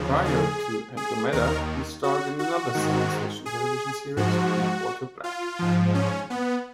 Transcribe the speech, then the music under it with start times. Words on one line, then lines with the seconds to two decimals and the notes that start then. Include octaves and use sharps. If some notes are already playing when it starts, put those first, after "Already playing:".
Prior to "Andromeda" he starred in another science fiction television series, "Deepwater Black".
Already playing: D#2 C#3 F3
0.25 G#4
0.97 G#4
1.32 D#2 D#3 A#4
2.03 F#4
2.39 F#4
2.74 G#2 D#3
3.46 G#4
4.17 G#2 F3 F#4
5.24 F4
5.59 G#2 F3
5.94 C#4
6.30 B3